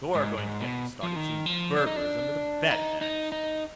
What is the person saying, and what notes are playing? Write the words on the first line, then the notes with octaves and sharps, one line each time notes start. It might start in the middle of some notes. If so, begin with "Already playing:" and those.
"You're going to get me started seeing burglars under the bed, next...."
G#2
G#2
B2
F3
D#3
F3
D4
D#4
D4
D#4
D#4
D#4